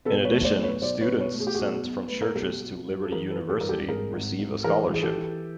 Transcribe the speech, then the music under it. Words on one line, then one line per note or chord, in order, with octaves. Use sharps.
In addition, students sent from churches to Liberty University receive a scholarship.
B2 A4 B4
B4 C#5
A3
C5 D5
B1
B4 C#5
B1 C5 D5
B4 C#5
B2
B4 C#5
A3
G#4
G4
B2 F#4 G#4
B1
A3 B4
A#4
B1 G4 A4
F#3
F#3
A4
E3 G#4 A#4
A4 B4
E3
G4 A4
G2 A#4
G4 A4
G#1 G#4 A#4
G#1
G#1
E3 G#4 A#4
E3 G#4
G4 A4
E3